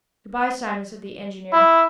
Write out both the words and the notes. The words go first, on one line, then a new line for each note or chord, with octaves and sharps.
"Good-by, Simon," said the engineer.
E4